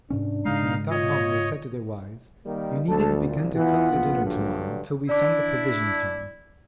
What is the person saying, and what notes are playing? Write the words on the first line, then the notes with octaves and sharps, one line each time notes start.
When they got home they said to their wives, 'You needn't begin to cook the dinner to-morrow till we send the provisions home.'
G#2 C3 C#4 D4
G#2 C#3 G#3 D#4 F5
F4 C#5 D#5
D#3 G3 A#3
D2 A4 A5
C2 A#2
E3 B3 F4 F#5
A#1
G2 D3 F#3
D4 E4 D5 D6